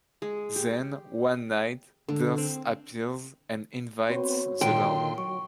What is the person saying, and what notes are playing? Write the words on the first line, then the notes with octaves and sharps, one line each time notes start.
Then, one night, Dirth appears and invades the land.
G#3
G4
D3
C4
B3 C4 F#4 C#5
A#2 D3 D#3 G5 C6
F#3 C#6